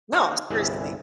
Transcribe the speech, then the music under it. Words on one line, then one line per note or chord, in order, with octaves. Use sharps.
No, seriously,
A#3 D4 D#4 F#4 A#4 C5
G1 C2 E3 E4 G#4